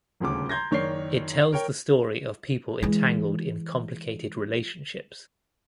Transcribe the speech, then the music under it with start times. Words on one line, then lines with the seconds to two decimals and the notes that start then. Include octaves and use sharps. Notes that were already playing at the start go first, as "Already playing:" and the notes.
It tells the story of people entangled in complicated relationships.
0.20 D#1 D2 C#3 D6
0.49 A#5 C6 G6 G#6 A#6
0.71 F#1 D#3 C#5 D5 G6 C7
1.52 A#4 C#5 G5
2.83 E3 G#3